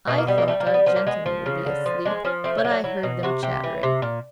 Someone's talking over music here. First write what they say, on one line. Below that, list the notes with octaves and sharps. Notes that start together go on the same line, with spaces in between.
I thought our gentlemen would be asleep, but I heard them chattering.
B2 A3
A#3
G3 B3
A#3
G3 A3
A#3
G3
B3
F3 B3
A#3
G#3 B3
F3
C#3
D3
F3
G#3 D4
F3 C#4
A3 C4
C#4
F#3
D4
F#3 E4
B2
C3 F#4
C3 G4
E3
C3
A#2